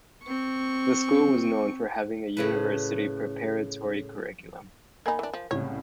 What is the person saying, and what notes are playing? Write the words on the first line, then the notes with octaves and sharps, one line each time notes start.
The school was known for having a university preparatory curriculum.
C4 C#6
A2 C#3 B4
A#3 D#4 A#4 G#5 B5
E3 D4
F3
C2 A2 C#3 C#5